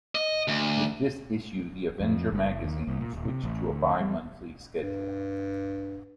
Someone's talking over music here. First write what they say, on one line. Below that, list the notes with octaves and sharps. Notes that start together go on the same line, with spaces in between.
With this issue, The Avenger magazine switched to a bi-monthly schedule.
D#5
D2
F2
F#1
D#2
C2
A#2
D#1
C3
A1
D2
G3
G2